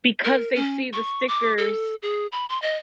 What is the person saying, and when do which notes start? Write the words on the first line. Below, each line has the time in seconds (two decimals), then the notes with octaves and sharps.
Because they see the stickers
0.25 A#4
0.55 C#4
0.93 C#6
1.28 D6
1.58 A4
2.02 G#4
2.32 B5
2.49 C6
2.62 D#5